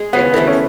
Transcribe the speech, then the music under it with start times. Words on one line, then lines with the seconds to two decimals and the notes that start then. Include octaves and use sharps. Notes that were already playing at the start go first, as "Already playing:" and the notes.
It is.
Already playing: G#3 G#4
0.13 C#3 B3
0.34 E3 A3 E4
0.47 C#4